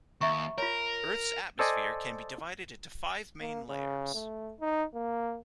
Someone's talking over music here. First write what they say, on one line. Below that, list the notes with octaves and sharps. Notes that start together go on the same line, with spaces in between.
Earth's atmosphere can be divided into five main layers.
D#2 E5 A#5 C#6
F4 A#4 C#5
A4 C5 D5 D#5 G#5
A#3
C#3
A3
D#4
A#3